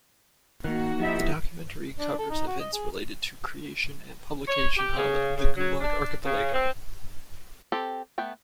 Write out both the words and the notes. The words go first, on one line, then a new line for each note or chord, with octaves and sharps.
The documentary covers events related to creation and publication of "The Gulag Archipelago".
D#3 A#3 D#4 F#4 F#5 F#6
F3 D#4 E4 G4 E5
D4
A4
D#4
F#4
D#5
G#4
C#5
G4
C#3
C#3
F#3
D4
C#3
C4
C4 G4 A4
A3 B3 G5